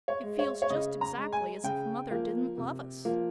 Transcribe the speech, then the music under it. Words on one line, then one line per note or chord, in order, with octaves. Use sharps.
'It feels just exactly as if mother didn't love us.'
C#5
G#3
C#5
C#5
C#3 D#5
A#5
G#3
G#5
C#3 G5
F3 A#3
C3
F3 A#3